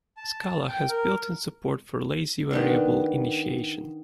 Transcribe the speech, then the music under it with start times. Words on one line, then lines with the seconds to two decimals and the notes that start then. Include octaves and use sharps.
Scala has built-in support for lazy variable initiation.
0.17 A5
0.68 G5
0.89 A#4
2.51 D#3 B3 D4